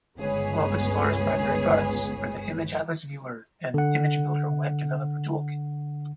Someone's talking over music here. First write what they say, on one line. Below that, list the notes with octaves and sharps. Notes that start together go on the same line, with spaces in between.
GlobeXplorer's primary products were the ImageAtlas viewer and ImageBuilder web developer toolkit.
G1 C#2 B3 G#4 B4 C#5
D3 F#5